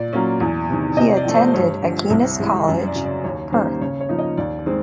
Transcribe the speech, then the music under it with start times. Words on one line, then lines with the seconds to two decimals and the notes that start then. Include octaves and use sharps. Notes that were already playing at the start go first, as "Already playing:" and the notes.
He attended Aquinas College, Perth.
Already playing: A#2 D5
0.13 F#3 A#3 C#4
0.40 E2
0.69 C3 D#3
0.97 C3 D#5
1.17 D5
1.25 F3 A3
1.35 C5
1.54 G2 C#5
1.83 D3 F3
2.10 C2
2.39 C3 E3 G#3
2.68 F#2
2.87 D5
2.95 C#3 F#3
3.05 D5
3.24 D#2 C#5
3.52 D#3 G3 A#3 C#4 C5
3.81 C#3 C#5
4.01 C#5
4.09 F3 A#3 D#4
4.18 D#5
4.37 D#2 D5
4.66 D#3 G#3 C4 C5